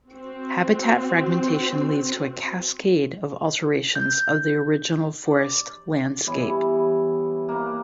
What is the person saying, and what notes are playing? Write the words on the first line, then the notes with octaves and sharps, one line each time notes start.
Habitat fragmentation leads to a cascade of alterations of the original forest landscape.
C4 F#4
G6
D5
E3 G3 B3 C#5
A#3 F#5